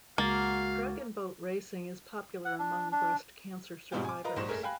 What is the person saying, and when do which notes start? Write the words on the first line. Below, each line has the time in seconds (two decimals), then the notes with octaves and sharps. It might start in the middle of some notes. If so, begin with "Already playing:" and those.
Dragon boat racing is popular among breast cancer survivors.
0.18 C#2 G#3 A#3 F#4 F5 A6
2.45 F#5
2.59 D4
2.92 D4
3.92 G#2 B2 G3 C4 F4 G4
4.05 G#5 D6
4.24 F4 A#4 B4 D#5 A#5
4.36 A#1 G#2 C5 C#6 A#6 E7
4.49 F#1 A3 G#4 A#4
4.63 F5 G5 G#5 B5 F#6